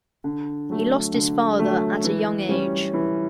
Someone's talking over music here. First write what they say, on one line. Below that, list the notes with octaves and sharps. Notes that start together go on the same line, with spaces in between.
He lost his father at a young age.
D3
F#3 A3
D3
F#3 A3
E3
G3 C#4
E3